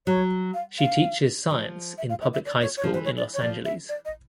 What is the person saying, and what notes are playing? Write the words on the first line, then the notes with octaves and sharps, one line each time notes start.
She teaches science in public high school in Los Angeles.
F#3 C#5
F5
F5
F3
E5
F5
E5
E5
D5
C#5
C#5
F3
E3 C5
C#5
D5
C#5
F3 D5
E5
D5
D#5